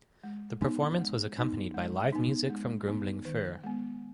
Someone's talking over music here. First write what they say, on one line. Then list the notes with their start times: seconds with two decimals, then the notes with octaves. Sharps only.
The performance was accompanied by live music from Grumbling Fur.
0.24 G#3
0.62 B3 D#4
0.99 G#3
1.37 B3 D#4
1.74 G#3
2.12 B3 D#4
2.50 G#3
2.88 B3 D#4
3.25 D#3
3.64 G#3 B3